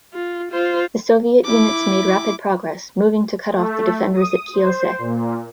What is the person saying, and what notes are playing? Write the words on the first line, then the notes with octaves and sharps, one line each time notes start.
The Soviet units made rapid progress, moving to cut off the defenders at Kielce.
F4
F4 C5
E4 D6
A3
D#6
C5
A#2